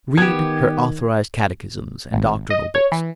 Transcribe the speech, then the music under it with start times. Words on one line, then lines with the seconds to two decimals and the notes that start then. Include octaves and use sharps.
Read her authorized catechisms and doctrinal books.
0.17 D#3 B3 G4 G#6
2.12 G#1
2.50 D#5
2.75 C#5
2.92 E3